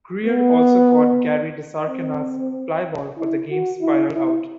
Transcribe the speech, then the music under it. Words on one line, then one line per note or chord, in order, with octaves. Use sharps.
Greer also caught Gary DiSarcina's fly ball for the game's final out.
B3
C4
E4
F#4
E4
E4